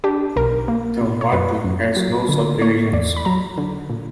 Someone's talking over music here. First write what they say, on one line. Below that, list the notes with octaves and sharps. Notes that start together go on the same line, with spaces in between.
The vatu has no subdivisions.
D4 G4
B1 A#4
A#3
B2
C#5
F#2 B4
F#2
F#3
D3
A#3 C#5
E2 D5
B5
F#3 A#5
D3
A#2